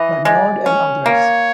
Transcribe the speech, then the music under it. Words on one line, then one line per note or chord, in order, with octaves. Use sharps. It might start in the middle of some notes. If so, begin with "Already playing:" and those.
Barnard and others.
Already playing: E3 D#5
G#3 D5
C#4
A#3 C#5